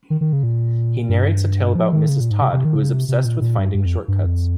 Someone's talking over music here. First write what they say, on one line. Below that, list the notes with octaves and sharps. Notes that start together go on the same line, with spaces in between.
He narrates a tale about Mrs. Todd, who is obsessed with finding shortcuts.
D#3
D#3
C#3
A#2
G2
F3
D#3
C#3
A#2
G#2
C3
C3
D#3
C#3
C3
C3
A#2
A#2
G2
G2
F2
G2
F2